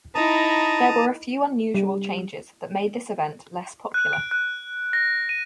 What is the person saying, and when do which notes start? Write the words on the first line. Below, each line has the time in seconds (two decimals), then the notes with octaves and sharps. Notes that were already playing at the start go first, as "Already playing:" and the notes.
There were a few unusual changes that made this event less popular.
0.15 D#4 E4 A5 A#5 D#6
1.75 G3
3.94 F#6
4.13 D7
4.31 F#6
4.93 A#6
5.29 D#7